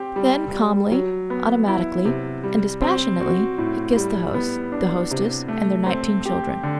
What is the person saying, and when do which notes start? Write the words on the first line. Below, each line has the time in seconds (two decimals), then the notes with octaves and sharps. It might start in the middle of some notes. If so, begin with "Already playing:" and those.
Then calmly, automatically, and dispassionately he kissed the host, the hostess, and their nineteen children.
Already playing: C4 G4
0.16 G3
0.53 G3
0.92 F#3
1.30 B3
1.68 E4
2.05 C3
2.43 G3
2.82 C4
3.20 F#4
3.58 A2
3.96 G3
4.34 B3
4.72 D4
5.11 C3
5.48 A3
5.86 C4
6.25 G4
6.63 D3